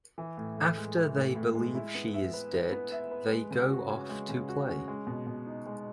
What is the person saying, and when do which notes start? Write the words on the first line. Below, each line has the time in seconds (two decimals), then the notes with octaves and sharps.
After they believe she is dead they go off to play.
0.18 E3
0.37 A2
0.57 A2
0.77 G#3
0.97 E3
1.16 A2
1.35 A2
1.55 G#3
1.75 E4
1.95 B3
2.14 E5
2.33 B4
2.53 E4
2.72 B3
2.92 E5
3.11 B4
3.31 G#3
3.51 C#3
3.70 F#4
3.90 C#4
4.09 G#3
4.29 C#3
4.49 F#4
4.68 C#4
4.88 G#3
5.07 B2
5.27 B2
5.46 D#4
5.66 G#3